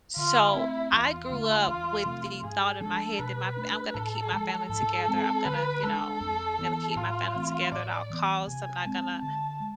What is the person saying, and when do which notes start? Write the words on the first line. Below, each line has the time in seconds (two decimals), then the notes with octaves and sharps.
So I grew up with the thought in my head that my fa I'm gonna keep my family together. I'm gonna, you know, I'm gonna keep my family together at all costs. I'm not gonna
0.16 D3 F4
0.54 A3 C4 E4
0.92 E2 F4
1.30 D3 A3
1.67 E2
2.05 C3 F3 A3
2.42 G#2 G#4
2.81 F3 G#3 D4 A4
3.19 B2 B4
3.57 A3 D4
3.94 A2 A4
4.32 F3 G#3
4.69 G#2 A4
5.08 G#3 C4
5.45 D3 B4
5.83 G#3 D4 A4
6.20 F2
6.59 E3 B3
6.96 A2 F4
7.34 E3 A3 C4
7.72 A2 D5
8.10 E3 B3
8.47 C3 G#5
8.85 G#3 C4 A5
9.22 D3 A5
9.60 G#3